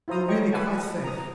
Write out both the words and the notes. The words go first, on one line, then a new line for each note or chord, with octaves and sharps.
You're really quite safe.
E4 F4 C5 A#5 D#6
C#5 D#5 G5 C#6
B4 E5 F#5 G#5 A5
A#5 D#6